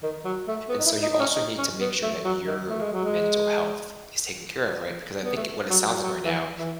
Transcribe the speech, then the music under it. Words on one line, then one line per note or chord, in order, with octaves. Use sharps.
And so, you also need to make sure that your mental health is taken care of, right? Because I think what it sounds like right now
D#3
F#3
A3
B3
D#4
E4
D#4
D#4
C#4
D#4
C#4
B3
A3
F#3
D#3
A3
G#3
F#3
G#3
B3
A3
F#3
F#3
F#3
E3
E3